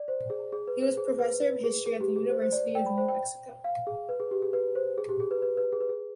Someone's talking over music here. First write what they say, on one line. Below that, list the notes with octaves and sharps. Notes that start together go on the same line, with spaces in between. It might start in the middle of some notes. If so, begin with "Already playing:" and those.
He was professor of history at the University of New Mexico.
Already playing: D5
C5
G#4
G#4
B4
C5
G#4
B4
B4
G#4
G#4
G4
G#4
C5
C5
D5
G5
B5
C5
G5
F5
G#4
B4
G#4
G4
G#4
B4
C5
G#4
G4
G#4
B4
B4
B4
G#4
B4
G#4